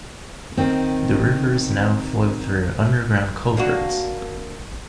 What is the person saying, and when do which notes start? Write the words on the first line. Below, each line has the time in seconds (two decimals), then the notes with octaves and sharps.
The rivers now flow through underground culverts.
0.57 D#3 C4
3.57 A#3 D4 F#4